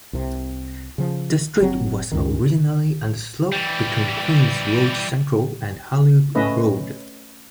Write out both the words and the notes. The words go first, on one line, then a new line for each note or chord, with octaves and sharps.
The street was originally on the slope between Queen's Road Central and Hollywood Road.
C2 C3
C#3 F3
F#1 F#3 C4
C#2 F#2 D#3
E3 G3
A3 C#4 B4 D#5 E5